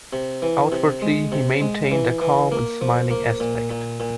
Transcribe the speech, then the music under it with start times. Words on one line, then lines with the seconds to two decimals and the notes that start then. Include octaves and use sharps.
Outwardly, he maintained a calm and smiling aspect.
0.13 C3
0.42 E3
0.72 C3
1.02 G#3
1.32 C3
1.61 G#3
1.92 E3
2.21 E3
2.52 A#3
2.81 F3
3.11 A#3
3.40 A#2
3.71 A#2
4.00 A#2